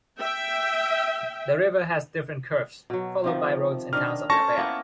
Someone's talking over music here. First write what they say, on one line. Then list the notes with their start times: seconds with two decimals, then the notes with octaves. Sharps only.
The river has different curves, followed by roads and towns of Navarre.
0.20 E5 G5
2.90 B2 F#3
3.24 C3 D#3 F3
3.93 D#3 D4 D#5 F6
4.30 C#4 A4 C5 A5 C#6 A#6
4.58 A#3 B3 E4